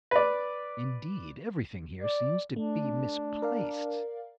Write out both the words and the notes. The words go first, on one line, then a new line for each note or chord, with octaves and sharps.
Indeed, everything here seems to be misplaced.
B4 D5
D5
A3 D4
A#4 D5 F5